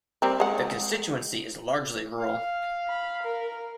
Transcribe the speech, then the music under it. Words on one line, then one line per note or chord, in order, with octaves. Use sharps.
The constituency is largely rural.
G3 C4 A#4
G#3 F#5
F5
B5
A#4